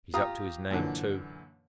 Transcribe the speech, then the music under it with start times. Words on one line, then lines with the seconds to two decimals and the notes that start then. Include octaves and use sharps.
He's up to his name too.
0.14 F4 G4 A#5 D#6
0.71 F#2 A#2 D3 E3